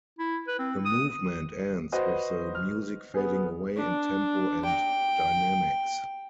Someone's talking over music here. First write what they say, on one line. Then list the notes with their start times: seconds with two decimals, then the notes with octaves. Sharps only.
The movement ends with the music fading away in tempo and dynamics.
0.18 E4
0.48 B4
0.59 C4
0.85 D#6
1.92 F#4 B4 C5 D#5
2.55 F6
3.14 B3 G#4
3.76 D4
4.65 G5